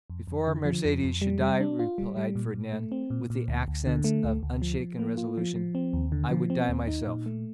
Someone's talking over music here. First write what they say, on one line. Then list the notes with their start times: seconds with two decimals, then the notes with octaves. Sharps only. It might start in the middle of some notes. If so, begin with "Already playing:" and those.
"Before Mercedes should die," replied Fernand, with the accents of unshaken resolution, "I would die myself!"
0.10 F2
0.27 F2
0.47 D3
0.65 F3
0.85 F2
1.04 F2
1.22 G3
1.41 G3
1.60 D4
1.79 F4
1.98 G3
2.17 G3
2.35 A#2
2.54 A#2
2.73 A3
2.92 C4
3.10 A#2
3.30 A#2
3.48 D2
3.68 D2
3.87 D3
4.04 A3
4.24 D2
4.43 D2
4.62 F3
4.80 F3
4.99 A#3
5.17 F4
5.38 F3
5.56 F3
5.75 C4
5.93 D#2
6.12 D3
6.31 F3
6.50 C4
6.68 D#2
6.87 D#4
7.07 A#2
7.26 A3